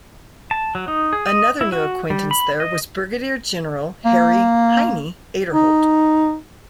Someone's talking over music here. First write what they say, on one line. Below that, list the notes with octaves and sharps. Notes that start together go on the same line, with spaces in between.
Another new acquaintance there was Brigadier General Harry "Heinie" Aderholt.
A5
F#3
D#4
G#4
D#5
E4
F#4
G3
B5
D#5
A#3
D#4